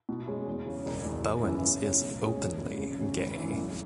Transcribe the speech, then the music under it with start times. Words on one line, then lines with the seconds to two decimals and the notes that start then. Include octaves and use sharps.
Bowens is openly gay.
0.09 B2
0.28 G#3 C#4 G#4
0.46 E2
0.66 C#3 F#3 C#4
0.86 E1
1.05 E2 B2
1.25 G#1
1.44 F#2 E3 B3 E4
1.62 C#3
1.83 F#3 C#4 F#4
2.01 B2
2.22 G#3 C#4 G#4 C#5
2.41 E1
2.61 E2 C#3 G#3
2.80 C#3
2.99 F#3 C#4 F#4
3.18 G#1
3.37 F#2 E3
3.57 B1